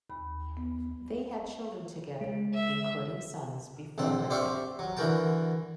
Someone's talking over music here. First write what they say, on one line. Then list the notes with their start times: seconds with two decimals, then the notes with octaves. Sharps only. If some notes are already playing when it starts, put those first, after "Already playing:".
They had children together, including sons, before her death.
0.10 D#2 B5
0.57 B3
2.21 G#3
2.54 E5
3.98 A#1 D3 C4 A5
4.30 G4 C5 D5 E5 F5 C#6
4.79 F#3
4.97 D3 E3 F#4 A#4 G5 A5